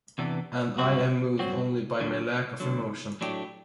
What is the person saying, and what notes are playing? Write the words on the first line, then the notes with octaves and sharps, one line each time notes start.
And I am moved only by my lack of emotion.
E2 C3 E3 B3 D4
G2 F#3 C4 F#4
G2 F#3 C4 F#4
D2 D3 F#3
D2 D3 F#3
A2 F#3 A3 D4 G4